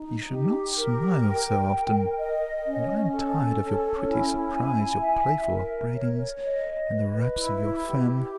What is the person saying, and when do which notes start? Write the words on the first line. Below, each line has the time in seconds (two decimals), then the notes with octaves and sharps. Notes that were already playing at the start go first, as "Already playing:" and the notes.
You should not smile so often; and I am tired of your pretty surprise, your playful upbraidings, and the raps of your fan.
Already playing: D#4
0.29 G4
0.77 A#4
1.23 G5
1.70 A#4
2.18 D#5
2.65 C#4
3.13 A4
3.59 C#4
4.07 E4
4.54 G#5
5.01 E5
5.48 A#4
5.95 C#5
6.42 D#5
6.90 B4
7.36 E4
7.84 G4